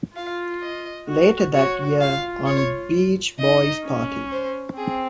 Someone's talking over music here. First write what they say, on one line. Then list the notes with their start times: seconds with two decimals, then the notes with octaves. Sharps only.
Later that year on Beach Boys' Party!
0.16 F4 F5
0.62 D#5
1.08 F#4
1.54 F#4 C#5
2.00 F4 F5
2.46 C#5
3.39 D#4 D#5
3.85 C#4
4.31 C5
4.77 C4 G#4